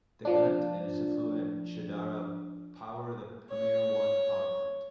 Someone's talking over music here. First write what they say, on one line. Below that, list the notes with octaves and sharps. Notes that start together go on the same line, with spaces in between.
The Gunt, and its affluent Shahdara, power the Pamir I power plant.
F3 D4
C#5